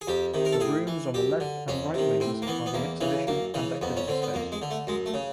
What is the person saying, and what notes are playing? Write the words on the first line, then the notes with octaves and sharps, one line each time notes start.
The rooms on the left and right wings are the exhibition and activity space.
G#4
F2 G4
C3 D#3
A#4
A4
A2 G#4
E3
F#2 G4
D3
F2 C#4
C3 D#3
A2 C4
A#3
E3 B3
B3
E2 A#3
C#3 E3
F#2 A#3
C#3 E3
F2 B3
C#4
D3 C4
B3
F2 A#3
G#3
D3
A3
F#2 G#3
A3
C#3